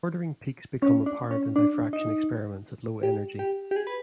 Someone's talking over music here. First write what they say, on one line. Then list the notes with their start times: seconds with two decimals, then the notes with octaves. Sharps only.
Ordering peaks become apparent in diffraction experiments at low energy.
0.82 C#4
1.06 D4
1.31 C#4
1.56 D4
1.93 D#4
3.03 G4
3.39 G4
3.71 G4
3.76 G#4
3.87 B4